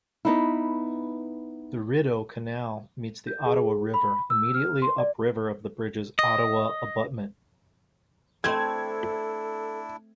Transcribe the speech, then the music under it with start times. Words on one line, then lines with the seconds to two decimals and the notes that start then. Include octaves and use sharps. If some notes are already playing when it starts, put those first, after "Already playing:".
The Rideau Canal meets the Ottawa River immediately upriver of the bridge's Ottawa abutment.
0.25 B3 D#4 E4
3.27 G6
3.46 G#4
3.94 B5
4.30 E6
4.54 F6
4.82 C6
4.98 D5
6.19 D#5
8.44 A3 C4 D4 E4 A4 G#6